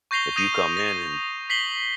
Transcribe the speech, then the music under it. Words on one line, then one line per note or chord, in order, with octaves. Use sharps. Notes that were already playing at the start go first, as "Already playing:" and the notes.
if you come in and
C#6 G6 A#6 C7 F7 G7
D#6 G6 A#6 D#7 F7
A#6 F7
B6 C7 F#7 G7